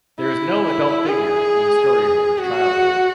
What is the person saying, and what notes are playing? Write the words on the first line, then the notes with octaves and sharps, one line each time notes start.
There is no adult figure in the story of her childhood.
E4
G#4
F#4